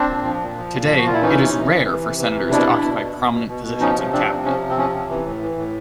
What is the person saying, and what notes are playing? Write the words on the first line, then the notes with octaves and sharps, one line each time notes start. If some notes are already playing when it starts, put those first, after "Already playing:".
Today, it is rare for senators to occupy prominent positions in cabinet.
Already playing: C4 D4
A#2
F3
A#2
F3
A#2
F3
F#4
A#2 F4
E4
E3 C#4 D#4
C3
E3
C3
E3
C3
E3
C3
B2 D4 E4
B2
B2
B2
B2
B2
B2
B2
F3 C#4 D#4
C3
F3 C4 D4
C3
F3 C#4
C3
C4
F3 C#4
C3
E3
A2
E3
A2